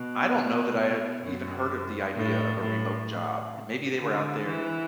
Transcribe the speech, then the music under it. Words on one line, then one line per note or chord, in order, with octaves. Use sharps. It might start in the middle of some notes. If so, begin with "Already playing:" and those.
I don't know that I have even heard of the idea of a remote job. Maybe they were out there,
Already playing: B2
B2
F#2
A2
A2
D3
E3